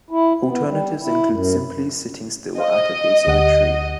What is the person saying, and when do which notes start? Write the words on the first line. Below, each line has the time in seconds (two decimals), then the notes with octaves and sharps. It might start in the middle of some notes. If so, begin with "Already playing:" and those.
Alternatives include simply sitting still at the base of a tree.
0.10 E4
0.47 B3
0.66 G3
1.01 E4
1.29 F#2
2.58 C5 D#5 F5
3.27 D2 G4 F#5